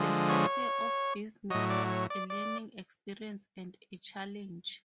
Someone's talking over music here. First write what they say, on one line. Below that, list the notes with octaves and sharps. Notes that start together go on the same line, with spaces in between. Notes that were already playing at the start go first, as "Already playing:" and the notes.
The first year of business was a learning experience and a challenge.
Already playing: D3 F3 G#3
C#5
A2 F#3 D#5
D5
C#5
D5
D5